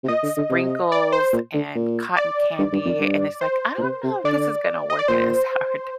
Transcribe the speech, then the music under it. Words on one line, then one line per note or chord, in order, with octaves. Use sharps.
sprinkles, and cotton candy, and it's like, "I don't know if this is gonna work in a sourdough.“
C3
A#2 D#5
D3
D3
C3
D5
C5
A#2
D3
A#2
D5
G2
G2
F2
G2
C5
A#2
C3
C3
D3 D5
D#5
D5
A#2 C5